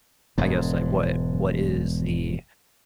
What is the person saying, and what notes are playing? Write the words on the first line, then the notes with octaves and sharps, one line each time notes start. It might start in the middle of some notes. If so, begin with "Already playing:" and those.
I guess, like, what what is the
E1 G#2